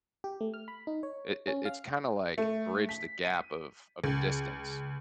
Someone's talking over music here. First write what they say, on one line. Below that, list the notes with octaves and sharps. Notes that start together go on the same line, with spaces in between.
it it it's kinda like bridged the gap of of distance,
G4
A3
F6
B5
D#4
C#5
C#4
F5
A3
B6
D#7
C#2